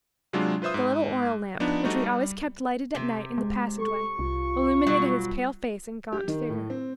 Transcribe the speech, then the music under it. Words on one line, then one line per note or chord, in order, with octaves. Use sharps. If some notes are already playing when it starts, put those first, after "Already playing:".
The little oil lamp, which we always kept lighted at night in the passageway, illuminated his pale face and gaunt figure.
C3 F#3 G#3 D4 F4
F4 B4 C5 E5 D#6
G#2
F3 B3 D4 D#4
G3 A3 D#4 F#4 C5
G3
C3
G#3
A4 C#6
C2 F4
B2 F#3 G3
G4
D#3
A2
C4